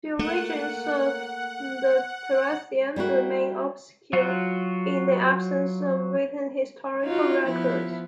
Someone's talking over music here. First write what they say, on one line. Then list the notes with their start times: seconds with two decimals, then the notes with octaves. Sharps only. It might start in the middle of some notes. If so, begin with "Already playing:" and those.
The origins of the Thracians remain obscure, in the absence of written historical records.
0.19 A3 A#3 F#5
2.96 G3 A#3 E4 F#4
4.13 F#3 F4 F#4
7.03 D#4 F4 F#4
7.45 F3 B3 E4